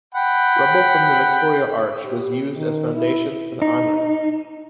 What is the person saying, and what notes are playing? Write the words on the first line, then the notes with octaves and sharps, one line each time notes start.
Rubble from the Victoria arch was used as foundations for the on-ramp.
F#5 G5 B5
G4
D#3
E4
D#4